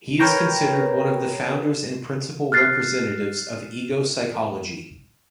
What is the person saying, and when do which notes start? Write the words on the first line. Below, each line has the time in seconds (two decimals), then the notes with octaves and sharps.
He is considered one of the founders and principal representatives of ego psychology.
0.19 A#4 B4 C#5 G5 A#5
2.52 F6 F#6 A6 C7